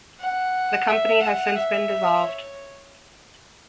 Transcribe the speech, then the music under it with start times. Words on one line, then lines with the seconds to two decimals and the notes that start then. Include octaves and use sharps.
The company has since been dissolved.
0.20 F#5
0.88 E5
1.21 F#5
1.56 E5
2.24 C#5